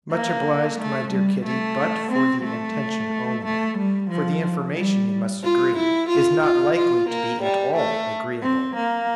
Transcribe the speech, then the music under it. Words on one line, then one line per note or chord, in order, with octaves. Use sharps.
"Much obliged, my dear Kitty; but for the intention only--for the information, you must agree, is not likely to be at all agreeable."
A#3
A3
G3
A3
C4
A3
A3
G3
F3
G3
F4
E4
F4
F4
F4
A#3
G3
A3
C4
A#3